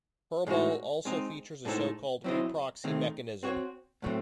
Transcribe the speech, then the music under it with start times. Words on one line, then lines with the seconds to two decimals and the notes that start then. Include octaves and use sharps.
Perlbal also features a so-called "re-proxy" mechanism.
0.47 A2 G#3 D#4 F#4
1.05 G#3 C4 D#4
1.65 A2 G#3 D#4 A4 C5
2.24 F#3 C4 E4 C5 D#5
2.84 D#3 A3 C4 D#4 G#4
3.43 C4 F#4 C#5
4.02 A2 F#3 A3 C4